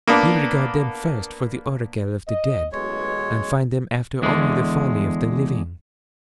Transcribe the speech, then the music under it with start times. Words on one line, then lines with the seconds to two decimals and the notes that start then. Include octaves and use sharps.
We regard them first for the oracle of the dead, and find them after only the folly of the living.
0.07 A#3 B3 D4
2.27 D#5
2.72 A1 B2 F#3 G#3 C#5
4.22 E2 D3 G#3